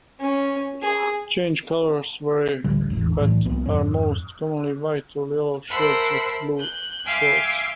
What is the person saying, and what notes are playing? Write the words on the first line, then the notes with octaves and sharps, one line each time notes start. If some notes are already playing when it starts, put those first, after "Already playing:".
Change colours vary, but are most commonly white or yellow shirts with blue shorts.
C#4
G#4
D1 A1 D3 G3
E1 A1 E2
B1 A2 E3 D4
C2 F3 A#3 B3
F2 G#2 C#4
A#4 C5 E5 F#5 A5 B5
F#6 G6
E5 F5 G5 G#5 C6 D6